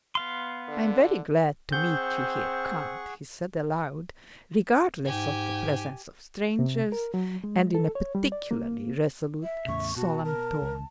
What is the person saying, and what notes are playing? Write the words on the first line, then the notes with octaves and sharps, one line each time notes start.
"I am very glad to meet you here, Count," he said aloud, regardless of the presence of strangers and in a particularly resolute and solemn tone.
B3 F5 C6
D3
C4 G#4 F#5 C#6 G6
G#2 G4 G#5
C3
A#4
F#3
G#3
A4
C#5
G3
D5
A#3
E5
E2 A2 C#3 C#6
B2 F#4 A5
A#4
C#2